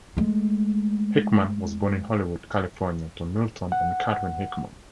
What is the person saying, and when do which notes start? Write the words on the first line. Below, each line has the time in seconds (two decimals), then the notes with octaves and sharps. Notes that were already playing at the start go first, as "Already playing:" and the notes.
Hickman was born in Hollywood, California to Milton and Katherine Hickman.
0.17 G#3 A3
3.72 F#5